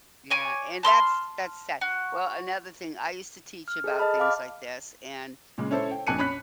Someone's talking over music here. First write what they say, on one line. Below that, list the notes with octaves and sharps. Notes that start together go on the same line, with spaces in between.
Yeah, and that's that's sad. Well, another thing, I used to teach about things like this, and
C#5 G#5 D6
A5 C6 E6 F6
F#4
F6
G#4 A4 D#5
D#5 A5 B5 F6
F5 B5 D6 F6
A#2 C#3 G#3
C#4 E4 A4 C5 C#5
G5
A#1 F2 G#5 F#6 C#7 D#7
C#4 B5 F#6 B6